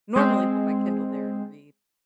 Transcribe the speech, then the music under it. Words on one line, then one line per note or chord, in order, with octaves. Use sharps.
normally put my Kindle there and read
G#3 C4